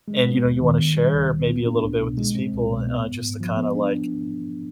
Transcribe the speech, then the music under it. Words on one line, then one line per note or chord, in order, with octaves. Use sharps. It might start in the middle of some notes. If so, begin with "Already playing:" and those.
and you know, you wanna share maybe a little bit with these people, uh, just to kinda like,
G#3
B3
D#2
D#3
D#3
G3
D2
C3
B3
D4
C2
B2
G#3
C4
C2
B2
B3
G#2
G#2
F3
B3
D4